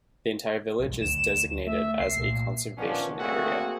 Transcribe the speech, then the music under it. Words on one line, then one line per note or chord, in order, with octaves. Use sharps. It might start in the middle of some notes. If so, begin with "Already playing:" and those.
The entire village is designated as a conservation area.
B1 G2
D2 E7
A3 E5
C2 C7
A#2
D#3 F3 B3 C#4 D4
A3 A#3 C4 F#4 G#4